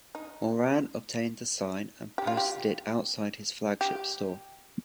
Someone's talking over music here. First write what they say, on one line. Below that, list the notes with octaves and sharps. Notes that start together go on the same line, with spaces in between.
Mauran obtained the sign and posted it outside his flagship store.
D#4
G4
F4
G4
G4